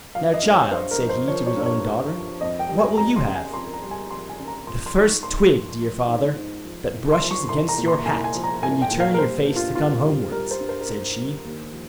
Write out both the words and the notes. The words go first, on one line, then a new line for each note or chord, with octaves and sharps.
'Now, child,' said he to his own daughter, 'what will you have?' 'The first twig, dear father, that brushes against your hat when you turn your face to come homewards,' said she.
F3 F5
D#5
G2
C#5
G2 C5
A#4
F3
C5
F3 C#5
C#5
G2
C#5
G2
F3
F2 D#5
G5
G3
G#5
F2 A#5
C6
C#3
G#5
F2 C6
A#5
G3
G#5
F2 C6
G#5
C#3
A#5
F3 C6
C6
G#2
C#6
G#2 C6
F3
F3
G#2
G#2
F3
C2
C6
F3
C#6
C2 C6
A#5
A#2
C6
C2 G#5
G#5
F3
A#5
C2 G#5
G5
A#2
F5
A#4
G3 C5
G2
F4
G2 F4
G3
G3 A#4
C5
G2
C5
A#4
G2 C5
G3
D#2
F3